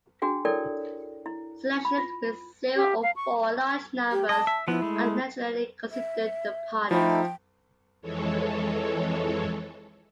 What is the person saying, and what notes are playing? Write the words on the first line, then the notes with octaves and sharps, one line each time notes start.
Selections with zero or four large numbers are generally considered the hardest.
D4 F#4 G#4 G5
E4 A4 A#4 C#5 D5 G5
E4
B5
F4
G4
F5
C#6
G4
D#5 A5
E5
F3 B3 E4
G#3 A3
E5
F3 A3 D#4 E4 G5
F2 E3 G#3 A4 C#5